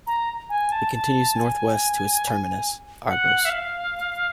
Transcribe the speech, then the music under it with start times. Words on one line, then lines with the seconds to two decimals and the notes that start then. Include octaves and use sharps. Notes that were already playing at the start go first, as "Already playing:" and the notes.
It continues northwest to its terminus, Argos.
0.07 A#5
0.49 G#5
0.72 A5
0.93 A5
1.35 G#5
3.08 F#5
3.45 E5
3.50 F5